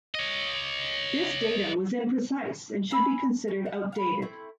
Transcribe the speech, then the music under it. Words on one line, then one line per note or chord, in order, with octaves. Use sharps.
This datum was imprecise and should be considered outdated.
C#5 D#5
F5 G#5 B5 E6
C#4
F#5
F5 F#5 B5
A3 C4 E4